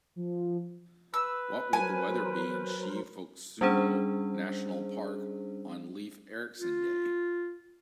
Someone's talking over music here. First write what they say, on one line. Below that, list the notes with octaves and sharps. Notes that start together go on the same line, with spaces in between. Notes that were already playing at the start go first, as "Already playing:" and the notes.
What will the weather be in Sche-Phoksundo-Nationalpark on leif erikson day?
F3
B4 E6
F#3 A#4 C5 G#5
G3 C#4 D4 G#4 C5
F4